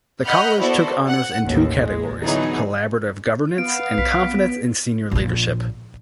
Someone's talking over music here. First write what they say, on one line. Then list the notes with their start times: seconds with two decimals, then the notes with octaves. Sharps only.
The college took honors in two categories, collaborative governance and confidence in senior leadership.
0.24 D#5 F#5 B5 F6 G6
0.60 B3 E4 F#4 A4 C5 D5
1.08 F#5
1.43 A1 D#2
1.79 G#3
2.23 D3 E3 F#3 B3 D#4 G#4
3.58 B3 F5 D7
3.98 B1 B6
5.11 A#1 A#2